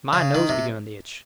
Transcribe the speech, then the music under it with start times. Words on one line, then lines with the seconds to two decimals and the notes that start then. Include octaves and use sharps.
My nose begun to itch.
0.13 C#3
0.35 D#3
0.49 C3